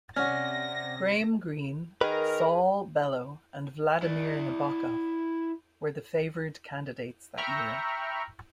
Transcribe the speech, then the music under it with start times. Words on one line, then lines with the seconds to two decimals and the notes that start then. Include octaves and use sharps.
Graham Greene, Saul Bellow and Vladimir Nabokov were the favoured candidates that year.
0.16 C3 C#4 D5 F#5 F6 A#6
2.01 D#3 G#4 A#4 B4
4.02 E4 D5
7.37 E5 G5 A#5 B5 C#6 F6